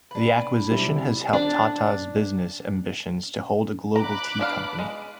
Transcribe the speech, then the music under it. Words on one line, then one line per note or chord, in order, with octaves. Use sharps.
The acquisition has helped Tata's business ambitions to hold a global tea company.
D4 B4
C3 G3 C4
D4
A#5 B5 D6 F#6
B3 D4 F5
G#3